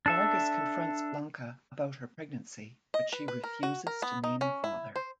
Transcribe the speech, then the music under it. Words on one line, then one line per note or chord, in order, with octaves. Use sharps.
Vargas confronts Blanca about her pregnancy, but she refuses to name the father.
D4 A4 E5
D#5
B4
B4
A#4
F#4
A#4
B3
D#4
C#4
E4
C5